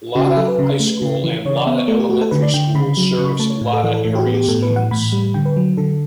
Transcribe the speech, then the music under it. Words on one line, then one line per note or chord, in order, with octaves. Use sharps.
Latta High School and Latta Elementary School serves Latta area students.
C#3 F#4
F#4
F#3 A4
B4
C#3
A3
C#3
E3
C#3 C#5
D5
B3 E5
C#5
A3 A4
G4
A3 F#4
A4
D3 B4
D5
D3 G5
C#3 B5
F#3
C#3 C#6
B5
A3 A5
C#5
A2
A4
E3 A4
A4
A2 A4
G4
F#4
B3
G4
A2 A4
B4
E3
F#5
A2 B5
G3
D3 G5
B4
F#3
D3 A4